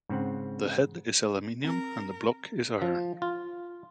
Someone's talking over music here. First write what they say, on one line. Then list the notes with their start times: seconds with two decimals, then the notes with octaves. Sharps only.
The head is aluminium and the block is iron.
0.09 G#2 C#3 C4 F#5
1.64 C4 A#4
2.82 F3
3.22 F4